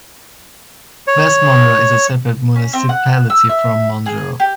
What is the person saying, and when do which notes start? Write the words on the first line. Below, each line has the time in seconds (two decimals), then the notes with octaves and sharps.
West Monroe is a separate municipality from Monroe.
1.07 C#5
2.56 C#4
2.73 C4
2.89 F#5
3.30 E6
3.49 E5
4.06 G#4
4.40 G4